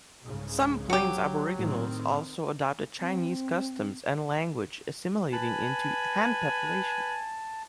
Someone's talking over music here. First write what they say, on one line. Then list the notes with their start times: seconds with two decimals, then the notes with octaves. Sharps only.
Some plains aboriginals also adopted Chinese customs and language, assimilating into the Han population.
0.22 C2 G#2 C#3
0.90 F#3 F#4 G4
1.59 A2 D#3 C4
3.00 C4
5.33 B4 G#5 A5